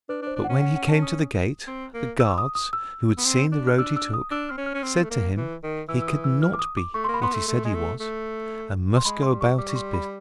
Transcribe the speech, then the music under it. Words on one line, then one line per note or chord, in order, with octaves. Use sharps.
But when he came to the gate, the guards, who had seen the road he took, said to him, he could not be what he said he was, and must go about his business.
D4 B4
D4
C5
D4
C#4 F#5
F#5
F#5
A5
D#6
C4
A#3
E6
D6
D#6
D#6
E6
B3
C4
D4
F6
D4 E6
E6
D#6
D4 E6
C4 F6
C#4
F6
C#4
C4
A3
A#3
E3
D#3
E3 E6
E6
D#6
E6
F6
D6
D#6
D6
A3 C#6
A#3 C6
B5
B3 C6
A3
A3
G#3
A3
A3
C6
G#3 B5
C6
G3
C#6
G3 D6
C#6
C6
B5